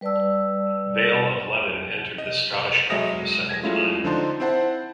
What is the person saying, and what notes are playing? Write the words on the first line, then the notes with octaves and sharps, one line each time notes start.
Vale of Leven entered the Scottish Cup for the second time.
G3 B4 D5 A5 E6
D#5
F#3 G#3 D#5 E5 D#6 A#6
G#6 A#6
F#3 G#3 A3 C#4 E4 F4
D3 F3 D4 D#4 A5 C6
C4 E4 C5 F#5 A5